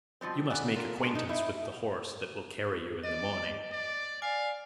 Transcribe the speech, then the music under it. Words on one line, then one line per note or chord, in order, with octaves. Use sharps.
"You must make acquaintance with the horse that will carry you in the morning!"
B2 F3 G3 C4
F2 D5 F#5 G#5
F4 A#4
G#3 B3 D4 F4 F#4 G#4
D#4 A#4
D#4 E4 E5
D5 D#5
D5
D5 F5 G#5